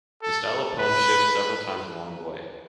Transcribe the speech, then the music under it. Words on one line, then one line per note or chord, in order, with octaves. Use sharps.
The style of the poem shifts several times along the way.
A4
B4